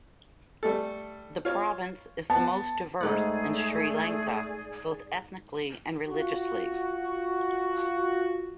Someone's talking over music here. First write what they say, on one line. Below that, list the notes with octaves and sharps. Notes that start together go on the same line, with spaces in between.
The province is the most diverse in Sri Lanka, both ethnically and religiously.
G3 A3 A4
F4 C#5
B3 A5
G#2 A3 G#4 B4 D5 F#5
F4 F#4